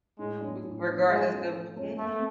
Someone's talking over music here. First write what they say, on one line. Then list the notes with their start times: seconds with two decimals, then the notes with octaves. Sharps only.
r regardless of mhm.
0.19 A2 G#3
0.40 F#3 B3 D4 F#4
0.63 A2
0.86 F#3 B3 D4 F#4
1.08 F3 G#3
1.31 A3 C#4 F4
1.53 F3
1.76 A3 C#4 F4
1.98 A3 A#3